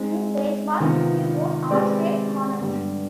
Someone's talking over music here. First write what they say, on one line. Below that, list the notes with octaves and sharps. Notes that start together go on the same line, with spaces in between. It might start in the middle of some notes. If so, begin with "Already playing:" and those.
In baseball, he won All-State honors.
Already playing: G#3 C4 D#4
C3 D#3 B3 F4
G#3 C4 G4 B4 D5
G2 D3 G3 B3